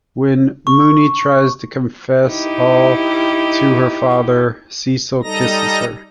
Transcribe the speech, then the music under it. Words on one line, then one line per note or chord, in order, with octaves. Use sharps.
When Mooney tries to confess all to her father, Cecil kisses her.
C#6
D#4 E4 G4
G3 D#4 A4 D#5 A#5 A#6